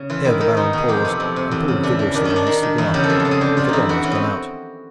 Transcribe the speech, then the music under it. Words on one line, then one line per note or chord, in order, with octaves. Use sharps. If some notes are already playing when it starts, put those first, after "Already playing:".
Here the Baron paused and pulled vigourously on his cigar, which had almost gone out.
Already playing: C#3
E3 F4
D#3 E4
D#3
B2 D#4
B2 G#4
F2 G4
C3 E4
F2
C3
E2
C#3
E3 D4
E3
D#3 D4
D#3 C#4
D4
D#3
D#3
E2 E4
C#3 G4
A4
F2 G#4
A4
C#3
G#4
D3 G4
D3 F4
E3 D#4 E4
E3 F#4
E3 C#4
B3 C4